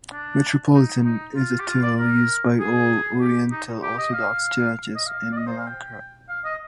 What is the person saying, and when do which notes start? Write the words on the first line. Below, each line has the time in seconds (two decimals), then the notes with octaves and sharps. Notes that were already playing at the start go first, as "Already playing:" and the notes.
Metropolitan is a titlle used by all oriental orthodox churches in Malankara.
0.12 D4
0.74 D#4
1.05 D#4
1.35 F4
1.60 G4
1.67 F4
1.82 D5
1.98 A#4
2.60 G#4
3.21 G4
3.51 D#4
3.83 G4
3.98 D#5
4.13 F5
4.96 D#5
5.06 F5
5.32 D5
5.37 D#5
5.46 C5
5.57 F5
5.67 G5
6.29 F5
6.44 D#5